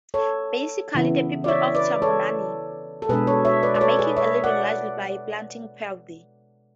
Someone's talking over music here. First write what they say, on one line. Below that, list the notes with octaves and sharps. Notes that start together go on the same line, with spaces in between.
Basically the people of Tambunan are making a living largely by planting paddy.
A4 C#5
C#3 E3 B3 E4
D5
C#5 E5
B4 D5
A4 C#5
A4
B2 G#3 D4 G#4 B4
A4 C#5
C#5 E5
B4 D5
D5
A4 C#5
G#4 B4
C#5 E5
D5 F#5